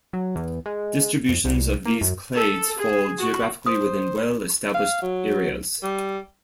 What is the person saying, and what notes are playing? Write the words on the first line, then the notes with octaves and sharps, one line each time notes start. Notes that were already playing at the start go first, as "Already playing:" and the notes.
Distributions of these clades fall geographically within well established areas.
F#3
E2
G#3
F2
C2
A#3
F#2
A4
G#4
F#4
C5 D#6
F5
F#3
G3